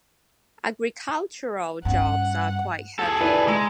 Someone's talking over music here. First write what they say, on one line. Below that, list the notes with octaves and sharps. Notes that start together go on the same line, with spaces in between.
Agricultural jobs are quite heavy.
G2 C#4 F#5
G#4 A4
E4 B4 D5
G#3 G#5 A#5 E6